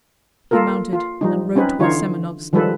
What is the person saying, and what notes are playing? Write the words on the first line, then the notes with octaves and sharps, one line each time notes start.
He mounted and rode toward Semenovsk.
A#3 F4 A4 A#4
F4
F3 G3 D#4
C4 C#4 D#4 B4
D3 E3 D#4 F4 C#5
D#3 F3 G3 G#3 A4 B4